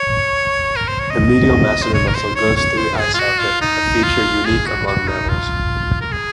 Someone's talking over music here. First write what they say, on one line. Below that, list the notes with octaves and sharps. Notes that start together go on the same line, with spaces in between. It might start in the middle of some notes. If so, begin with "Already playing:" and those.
The medial masseter muscle goes through the eye socket, a feature unique among mammals.
Already playing: C#5
A#4
C5
C#5
D#5
C5
C#5
A#4
C5
C#5
C#5
C5
G#4
F4
F#4
F4
D#4
F4
G#4
F#4
F#4
D#4
F4
A#4
G#4